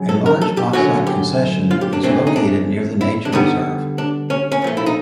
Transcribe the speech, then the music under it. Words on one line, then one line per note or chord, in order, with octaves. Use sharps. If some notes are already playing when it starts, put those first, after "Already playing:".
A large bauxite concession is located near the nature reserve.
Already playing: F#2 C#3 F#3
A4
A#4
A4
G4
F#2 D3 F#3 A3 C#4 F#4
G4
F4
G4
D4
C#3 E3 A3 C4 D4
D#4
D4
E4
D4
D3 G3 B3 D#4
D4
C#4
C#4
A#2 F3 A3
E4
D#4